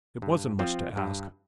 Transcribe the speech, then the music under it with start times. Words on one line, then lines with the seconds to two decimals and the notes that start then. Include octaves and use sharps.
It wasn't much to ask.
0.22 G2
0.59 F3 C4 F4
0.97 G2